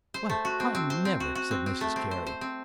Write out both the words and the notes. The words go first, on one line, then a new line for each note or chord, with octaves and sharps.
"Well, I never," said Mrs Carey.
C5
A3
F#4
C4
C4
C5
C4
F#4
F#4
C4
C4
A3
C4
C5
C5
C4